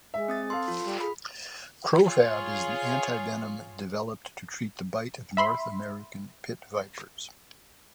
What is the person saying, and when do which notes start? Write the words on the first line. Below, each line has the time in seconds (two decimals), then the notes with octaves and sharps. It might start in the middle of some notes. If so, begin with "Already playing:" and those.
Crofab is the antivenom developed to treat the bite of North American pit-vipers.
0.14 G#3 E5
0.28 C4 D#6 A6
0.50 A4 F5 C6
0.68 F3 F4
0.84 G3
1.01 G#4 B5
2.03 F4 G#4 C#5
5.37 E5 B5 C6